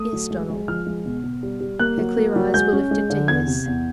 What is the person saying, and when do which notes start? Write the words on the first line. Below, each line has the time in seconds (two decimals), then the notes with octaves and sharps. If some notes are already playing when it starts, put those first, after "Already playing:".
"Yes, Donald." Her clear eyes were lifted to his.
Already playing: A3 D#6
0.13 F#3
0.31 G#3
0.50 G#3
0.68 F3 F6
0.87 G#3
1.06 B2
1.23 B2
1.43 G3
1.61 G3
1.79 A#3 F#6
1.98 F#3
2.17 A#3
2.36 F#3
2.54 G#3 G6
2.73 C#4
2.91 G#3
3.10 D3
3.28 E2 G#6
3.47 C3
3.66 E2